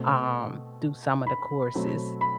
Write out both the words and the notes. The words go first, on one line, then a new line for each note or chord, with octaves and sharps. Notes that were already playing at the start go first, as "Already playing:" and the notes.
um, do some of the courses.
Already playing: B2 A3 C4
B5
B2 F#3 A3 C4
B5